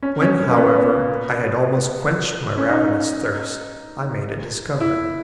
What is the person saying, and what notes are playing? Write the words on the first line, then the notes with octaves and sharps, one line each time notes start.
When, however, I had almost quenched my ravenous thirst, I made a discovery.
C#4
C#4
C#4
A#3
B3
C#4
D#4
E4